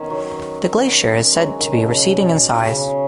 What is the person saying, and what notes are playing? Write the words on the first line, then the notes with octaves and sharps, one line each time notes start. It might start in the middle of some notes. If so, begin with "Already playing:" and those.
The glacier is said to be receding in size.
Already playing: D#3 B3 C#4
F#3
G#3
F#3
D#3
B2
C#3
B2
C#3